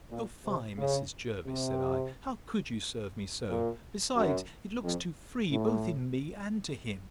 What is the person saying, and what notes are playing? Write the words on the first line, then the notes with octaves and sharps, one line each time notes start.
O fie, Mrs. Jervis, said I, how could you serve me so? Besides, it looks too free both in me, and to him.
A#2
C3
C#3
C3
A#2
F#2
F2
A2